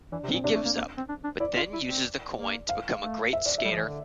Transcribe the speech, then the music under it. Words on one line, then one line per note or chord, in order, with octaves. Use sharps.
He gives up, but then uses the coin to become a great skater.
E3 D4
C3
C4
A#2
C3 D4
A3
A#3
A#3
C4
D4
D4
E4 D5
F4
E4
C4
A#3
F5
A3
E5
D5
E5
G3
F3
E3
D3